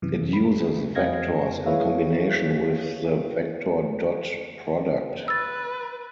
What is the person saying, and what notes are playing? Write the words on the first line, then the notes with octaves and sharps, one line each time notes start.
It uses vectors in combination with the vector dot product.
F#2 C3 E3
B5
F2 C4 D#5 F5 G#6 A#6
E4 G#4 B4 C#5 E5 F5
B4 E6 A6